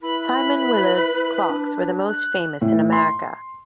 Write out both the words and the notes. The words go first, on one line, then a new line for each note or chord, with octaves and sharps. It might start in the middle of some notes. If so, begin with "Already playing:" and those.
Simon Willard's clocks were the most famous in America.
E4 B4 B5
E4
D4
F#6
A2
C6